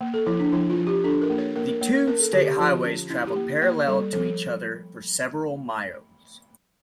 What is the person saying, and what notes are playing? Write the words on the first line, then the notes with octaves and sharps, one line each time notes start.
The two state highways traveled parallel to each other for several miles.
A#3
A4
F3 E4
D4
F3 E4
F4
F3
G4
D4 A4
A#4
A#3
C#5
A#3 A#4
A#4
A#3 C#5
A#4
C#4 A#4
A4
D3 G4
G4
F3 F4
C#4
C#4 E4
G4
A#3
A#3 C#5
G3 A4
F3 A4